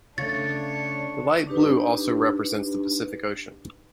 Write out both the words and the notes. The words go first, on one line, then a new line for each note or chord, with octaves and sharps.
The light blue also represents the Pacific Ocean.
C#3 A3 D4 C#5 A6
D4 D#4 G4 B4